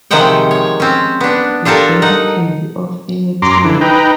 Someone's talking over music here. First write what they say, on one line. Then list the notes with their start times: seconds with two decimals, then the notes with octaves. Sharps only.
The value can be of any type.
0.11 C3 D#3 F3 G#3 F#5 G5
0.51 C#5
0.80 C4 C#4
1.21 B3 D4
1.65 D4 F4 G4 A4 A#4
2.02 D#4 F#5
3.42 F#2 A#5 C6 D6
3.64 D3 E3
3.81 D#4 B4 G5 A#5